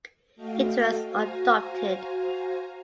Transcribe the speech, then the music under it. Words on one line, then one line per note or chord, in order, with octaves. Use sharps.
It was adopted.
A3 F#4 A4 D#5 F5 G5
F#4 C5 F5 G#5 A#5